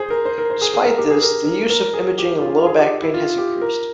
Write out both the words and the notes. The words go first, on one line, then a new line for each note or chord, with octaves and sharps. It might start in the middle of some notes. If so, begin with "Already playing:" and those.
Despite this, the use of imaging in low back pain has increased.
Already playing: G#4 C5
A#4
C5
A#4
C5
G#4
G#4
A#4
G4
G#4
A#4
A#4
A#4
G#4
G4
F4
G#4
G4
E4
F4
G4
A#4